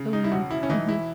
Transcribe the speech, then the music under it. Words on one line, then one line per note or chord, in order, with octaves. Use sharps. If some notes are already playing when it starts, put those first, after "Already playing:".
Mm, mhm.
Already playing: C#3
D#4
E4
E1 F#4
E4
C#4
E3 D#4
E4